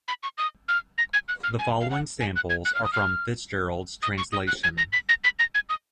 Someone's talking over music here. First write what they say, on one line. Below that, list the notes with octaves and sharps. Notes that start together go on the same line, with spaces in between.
The following samples are from FitzGerald's translation.
B5
C#6
D#6
F6
A#6
G#6
F#6
F6
G#5
F5
F#5
G#5
F#6
G#6
F#6
F6
D#6
F6
D#6
C#6
D#6
F#6
G#6
A#6
B6
A#6
B6
A#6
G#6
D#6